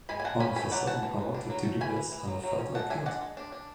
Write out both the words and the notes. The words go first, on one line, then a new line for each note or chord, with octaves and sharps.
All of a sudden I wanted to do this, and I felt I could.
G#3 G#5 B5
G#5
G#3 F#5 A5
C#4 G#5 B5
A3 G#5 B5
F#3 D5 F#5
E3 F#5 A5
E3
B3
D4
F#3
A3
E3 G#5 B5
E3
E3
F#3
F#3
C#4
G#3 F#5 A5
D4 E5 G#5
G#3 D5 F#5
G#3
D4
D4